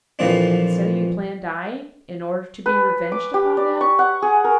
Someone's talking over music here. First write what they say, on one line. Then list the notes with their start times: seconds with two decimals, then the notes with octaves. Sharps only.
'And so you plan dying, in order to be revenged upon them!'
0.19 F2 A#2 E3 F3 C4 D4
2.66 B4
3.12 D6
3.34 G4
3.57 D5
3.81 C#6
3.99 F#5
4.22 G#4
4.44 A#4